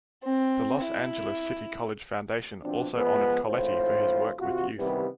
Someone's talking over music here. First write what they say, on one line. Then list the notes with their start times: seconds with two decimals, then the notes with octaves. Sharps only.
The Los Angeles City College Foundation also honored Colletti for his work with youth.
0.24 C4
0.81 E4
2.63 B2 F3 C4 D4
2.95 F3 G#3 B3
3.47 G#1 A2 F4 C5
4.40 C3 F4 F#4
4.78 C3 D#3 E3 G3 B3